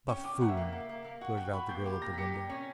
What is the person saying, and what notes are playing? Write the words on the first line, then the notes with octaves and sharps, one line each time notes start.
"Buffoon!" blurted out the girl at the window.
C#4 G5
C#4 D6
A#2 F#5
E5
A#3
A#3
A#3
A#3
F#4 F#5
F#4 G5
F#4 B5
A#3 G6
G4
A#2 A#6
B6
G4 C#7
A#2
C#4